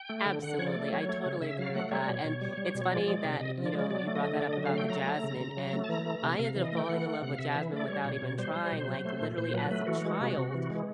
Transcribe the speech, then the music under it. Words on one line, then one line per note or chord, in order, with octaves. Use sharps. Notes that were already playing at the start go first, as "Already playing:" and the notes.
Absolutely. I totally agree with that, and it's funny that you know, you brought that up about the jasmine and I ended up falling in love with jasmine without even trying, like literally as a child.
Already playing: G5
A3
D3
D3 F#5
F3 C#5
D5
A3
F#3 C#5
A3
C#3
C#3 E5
F#3 F5
A3 F#5
G3 C#5
B2
B2
G3
G3
B2
C#5
F3 D5
G#3
C3
C3 D#5
F3
D5
G#3
D5
F#3 D5
A3
D#5
D3
D3 D5
F#3 D#5
F5
A3 G5
F#3 A#5
A3
C#3
C#3
F#3
A3
A5
E3 A#5
A3
C3
C3 F5
E3
D#5
A3 G5
E3 F#5
A3
C3
F5
C3 E5
E3 E5
A3 D5
G3 C#5
B2
B2
G3 C5
G3
B2
F#3
A3
A#2
A#2 C5
F#3 B4
A3 B4
E3 F#4
G#3
C3
C3
E3
G#3